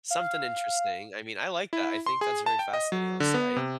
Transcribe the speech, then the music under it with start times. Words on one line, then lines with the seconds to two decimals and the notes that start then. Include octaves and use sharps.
something interesting, I mean, I like that, I think that's very fascinating, honestly, I
0.10 F5
1.73 E4
2.06 C6
2.21 G#4
2.46 A5
2.59 G5
2.73 D#5
2.92 F#3
3.20 D3
3.34 B3
3.56 C3